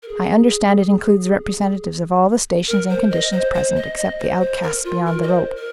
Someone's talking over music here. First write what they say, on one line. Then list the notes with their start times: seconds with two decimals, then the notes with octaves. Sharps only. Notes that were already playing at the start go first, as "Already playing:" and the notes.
I understand it includes representatives of all the stations and conditions present except the outcasts beyond the rope.
0.03 A#4
0.08 G#4
2.68 A#4
2.89 C5
3.11 D#5
3.32 C5
3.55 C5
3.76 D#5
3.97 D#5
4.19 C5
4.40 C5
4.62 A#4
4.84 F4
5.06 A#4
5.23 D#5
5.27 C5
5.56 A#4